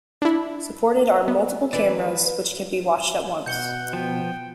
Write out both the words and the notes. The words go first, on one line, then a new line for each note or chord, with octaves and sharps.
Supported are multiple cameras, which can be watched at once.
D4 E4
B3
E3 B4 D5
B2 F#5 G6 C#7 G7
F3 B3 G5